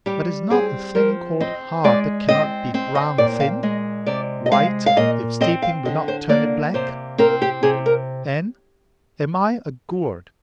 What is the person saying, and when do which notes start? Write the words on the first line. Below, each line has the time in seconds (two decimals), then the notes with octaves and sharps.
But is not a thing called hard that cannot be ground thin; white, if steeping will not turn it black? And am I a gourd?
0.06 G3 G4
0.50 C4 G#4
0.95 F3 A#4
1.41 C4 D#5
1.84 G#3 D5
2.28 C4 D#5
2.74 C4
2.95 D#5
3.18 A#2 D5
3.40 F5
3.63 G#3 D#5
4.06 C3 D5
4.46 D#5
4.52 G#3 F5
4.86 F5
4.96 A#2 D#5
5.41 C4 D#5
5.62 F5
5.85 D3 D#5
6.08 C5
6.29 A#3 D5
6.74 C3 C5
7.18 C4 A#4
7.42 G4
7.63 C3 G#4
7.86 A#4